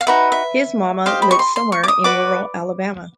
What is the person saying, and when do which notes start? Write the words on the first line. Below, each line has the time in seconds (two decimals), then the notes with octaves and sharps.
His mama lives somewhere in rural Alabama.
0.01 F5
0.07 D#4 F#4 B4 E5
0.32 E5
1.06 G4 C5 D#5 F5
1.22 B5
1.31 C#6
1.39 C6
1.56 C6
1.72 C#6
1.83 D6
1.88 D#6
2.04 F#4 B4 D5 D6